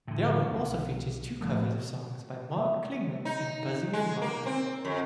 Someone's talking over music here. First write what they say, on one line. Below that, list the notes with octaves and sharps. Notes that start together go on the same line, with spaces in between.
The album also features two covers of songs by Mark Klingman and Buzzy Linhart.
A2 D3
B1
A2 F3 A3
E5
D#4
G#3
A#3
C4
F2